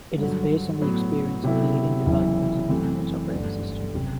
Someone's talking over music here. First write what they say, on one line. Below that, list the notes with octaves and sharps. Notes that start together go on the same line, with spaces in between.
It is based on the experience of leading developers of the Unix operating system.
G2 D3 F#3
A2 F#3 B3
C3 F#3 B3 E4 A4
F#1 F#2 E3 B3 E4
F#2 E3 A3 C4
G1 F#2 D3 A3 D4
F#1 C3